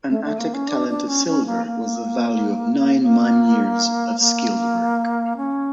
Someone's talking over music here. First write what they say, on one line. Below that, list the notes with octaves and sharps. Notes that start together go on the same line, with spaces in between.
An Attic talent of silver was the value of nine man-years of skilled work.
A3
A3
A#3
C#4
D4
D4
C#4
C#4
A#3
A#3
A#3
A#3
C#4